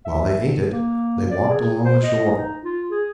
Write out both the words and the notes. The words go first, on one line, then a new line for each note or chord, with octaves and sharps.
While they ate it, they walked along the shore.
E5
A#3
D5
G#4
C5
D#5
D#4
F4
G#4